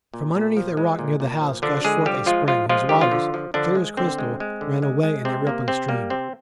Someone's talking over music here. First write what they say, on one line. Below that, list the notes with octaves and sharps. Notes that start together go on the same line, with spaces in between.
From underneath a rock near the house gushed forth a spring, whose waters, clear as crystal, ran away in a rippling stream.
A#2
A#2
F3
G#3
A#2
A#2
F3
D3 F3 D4
D3 G#3 G#4
F3 G3 G4
F3 G#3 F4
F3 F4
F3 G#3 F4
D3 G4
F3 F4
D3
F3
D3 F3 D4
G#3
D3 C4
G#3
G#3
D3
G#3
G#3
C3 C4
C3 A#3
C3 C4
G3 A#3
C3 C4